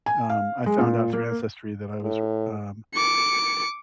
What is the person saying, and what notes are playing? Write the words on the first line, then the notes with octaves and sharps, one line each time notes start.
um, I found out through ancestry that I was re um,
G#5
F5
G#3
A#2
A#3
A2
D6 C#7